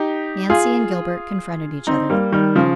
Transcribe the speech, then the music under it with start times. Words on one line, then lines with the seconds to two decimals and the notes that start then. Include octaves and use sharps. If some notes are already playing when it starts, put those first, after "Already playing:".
Nancy and Gilbert confronted each other.
Already playing: D#4 G4
0.50 F4 G#4
1.87 C4 D#4
2.10 G3 A#3
2.32 D#3 G3
2.56 C#3 F3